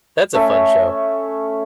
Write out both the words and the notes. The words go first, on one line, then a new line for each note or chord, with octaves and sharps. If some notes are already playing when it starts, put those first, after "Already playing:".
that's a fun show.
A3 C#4 E5